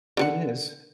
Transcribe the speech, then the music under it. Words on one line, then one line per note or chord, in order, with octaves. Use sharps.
It is.
D3 G4 F#5